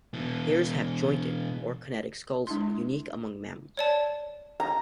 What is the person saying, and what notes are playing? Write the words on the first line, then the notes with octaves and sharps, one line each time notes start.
Hares have jointed, or kinetic, skulls, unique among mammals.
B2 E3
G#3 D4 E4 C6
C#5 D5 A5
A#5